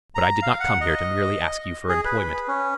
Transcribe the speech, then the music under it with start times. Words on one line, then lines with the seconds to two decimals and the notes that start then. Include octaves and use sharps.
But I did not come here to merely ask you for employment.
0.15 A#5
0.42 F5
0.60 F#5
0.81 D#5
1.89 G#4
2.05 B4
2.48 C#4